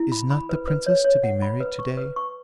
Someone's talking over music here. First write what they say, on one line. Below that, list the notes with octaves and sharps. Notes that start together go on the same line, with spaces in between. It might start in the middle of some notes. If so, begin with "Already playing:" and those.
'Is not the princess to be married to-day?'
Already playing: E4
B5
B5
B4
B4
C#5
C#5
F#5
B5
B4
C#6
B4
C#6